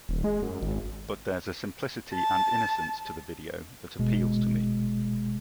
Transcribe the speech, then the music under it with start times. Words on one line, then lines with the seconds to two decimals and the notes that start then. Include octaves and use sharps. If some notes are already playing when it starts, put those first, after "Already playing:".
But there's a simplicity and innocence to the video that appeals to me.
0.09 D#1
0.24 G#3
0.42 F#2
0.62 G#1
2.14 A5
3.98 G1 B2 G#3